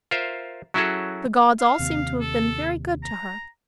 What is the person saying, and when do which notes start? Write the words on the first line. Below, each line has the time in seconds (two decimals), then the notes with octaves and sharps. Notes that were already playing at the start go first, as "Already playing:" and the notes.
The gods all seemed to have been very good to her.
0.11 F4 A#4 C5 E5
0.74 F#3 C#4 E4 F#4 G#4 A4
1.60 F5
1.79 D#2 C3
2.21 A4
3.03 A#5